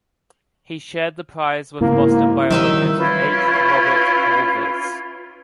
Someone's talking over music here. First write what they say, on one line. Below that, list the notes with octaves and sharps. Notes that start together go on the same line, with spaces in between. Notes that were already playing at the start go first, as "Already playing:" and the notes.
He shared the prize with Boston biologist H. Robert Horvitz.
G#2 C#3 A#3 E4
D#3 F3 G3 D#4 E5 E6
C#4 E4 F4 B4